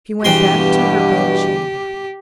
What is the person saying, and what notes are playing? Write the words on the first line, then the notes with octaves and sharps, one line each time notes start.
She went back to her bed-chamber.
E2 G2 B2 G4 G5 C6